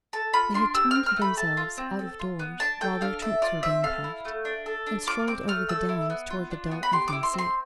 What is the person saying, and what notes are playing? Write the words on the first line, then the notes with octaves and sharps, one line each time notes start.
They had turned themselves out of doors while their trunks were being packed, and strolled over the Downs towards the dull evening sea.
A4 A5
F4 B5
D4 C6
G4 E6
C4 F6
F6
A3
B5
A4 A5
F4
C4
A4
F4
B3
D4 A5
A4 G5
D4 F5
A4 E5
F4 D5
C4 E5
A4 F5
E4
A3
D4
A4
D4
F4 D6
C4 D6
A3 F6
A4 E6
E4
B3
F4
D4
B3
B5
G4 C6
E4 D6
C6
C4
C6